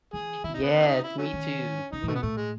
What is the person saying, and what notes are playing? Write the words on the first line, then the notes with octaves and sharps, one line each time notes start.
Yes, me too. Mm.
E3 G#4
D#3 E4
D#4
C#3 B3
B3
E4
D#4
E4
F#3 A3 C#4
D#3
C#3 D#4
A2
B2 A3
B3
A2 A3
G#3